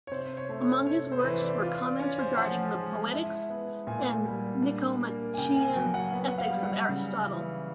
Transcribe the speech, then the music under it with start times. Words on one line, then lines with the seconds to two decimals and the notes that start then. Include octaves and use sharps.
Among his works were comments regarding the "Poetics" and "Nicomachean Ethics" of Aristotle.
0.07 C#5
0.11 C3 C5
0.37 C#5
0.49 A3
0.61 C#5
0.87 C3 C#5
1.12 C5
1.19 B4
1.24 E3 C5
1.37 D5
1.62 F4
1.81 D5
2.00 C#4 C#5
2.19 C5
2.37 F3 F#5
2.75 G#3
3.13 E4
3.50 B3
3.87 A#2 G#5
4.25 G3
4.62 D4
5.01 A#3
5.34 G#5
5.38 C#3 G5
5.56 G#5
5.76 F#3 G5
5.94 F#5
6.13 B3
6.27 F#5
6.38 F5
6.50 G3
6.63 F#5
6.89 C#3
7.27 E3